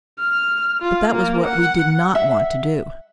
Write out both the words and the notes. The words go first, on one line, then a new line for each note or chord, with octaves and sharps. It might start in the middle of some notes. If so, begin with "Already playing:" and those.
But that was what we did not want to do.
F6
F4
A#3
F#5
E5 F#5